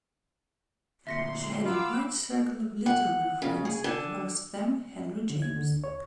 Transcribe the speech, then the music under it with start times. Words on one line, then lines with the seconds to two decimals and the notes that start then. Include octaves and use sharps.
She had a wide circle of literary friends, amongst them Henry James.
1.07 D2 A#2 E5 C6 A#6 C#7
1.66 F#3 F4 F5 B5 D6 E6
2.86 F#5
3.42 C#3
3.65 G#4
3.84 D3
5.30 D3
5.42 G#6
5.57 D3
5.72 D2
5.84 C#5